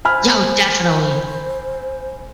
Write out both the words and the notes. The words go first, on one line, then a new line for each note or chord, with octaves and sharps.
Yo, definitely.
C5 G#5 B5 F6